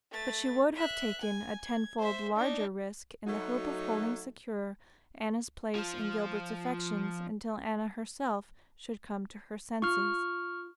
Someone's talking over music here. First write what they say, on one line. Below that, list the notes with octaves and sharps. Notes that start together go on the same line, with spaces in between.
But she would have taken a tenfold larger risk in the hope of holding secure Anna's place in Gilbert's affections until Anna herself should come to her senses.
A3 A6
E5 F#6
G#5
G#6
C5 E5
D4 D#4
F#3 A3 D#4 F#4
F3 F4
F4 C#6 F6